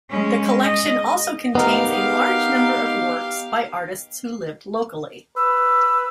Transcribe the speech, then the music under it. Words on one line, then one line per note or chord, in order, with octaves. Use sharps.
The collection also contains a large number of works by artists who lived locally.
G#3 C#4
D#5
B3 D#4 G4 A#4 F5
B4 E6